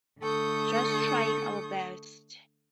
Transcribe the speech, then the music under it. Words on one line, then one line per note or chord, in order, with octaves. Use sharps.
Just trying our best.
D3 A3 A4 C#6 D#6 G6